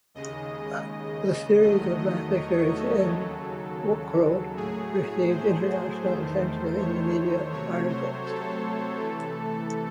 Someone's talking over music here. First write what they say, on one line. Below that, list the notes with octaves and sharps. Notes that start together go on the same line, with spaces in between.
The series of massacres in Wukro received international attention in media articles.
D#2 C#3 G#3 D#5
E2 D#3 F#3 A3 D#5
D#5
C#5
A4
D#2 C#3 F#3
A2 F#3 A3 G#4
G#4
C5
E2 D#3 A3
C#5
C3 F#3 A3 C#5
C5
A4
C3 E3 A3